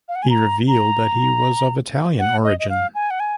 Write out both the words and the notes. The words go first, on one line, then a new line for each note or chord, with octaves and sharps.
He revealed that he was of Italian origin.
F5
F#5
G#5
A#5
A#5
F#5
D#5
D#5
F5
G#5
F#5
G#5